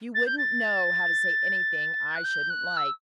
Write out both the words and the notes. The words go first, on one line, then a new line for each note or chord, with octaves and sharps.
"You wouldn't know how to say anything I shouldn't like."
A6
G6
A6
F#6
G6
F#6
E6